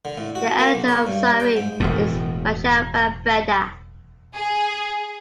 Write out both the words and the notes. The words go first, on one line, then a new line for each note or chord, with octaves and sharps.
The editor of "Sarie" is Michelle van Breda.
D3
A2
F#4
A#3
B1
C#5
G2
G5
G#2
E1 E2 A2
G#4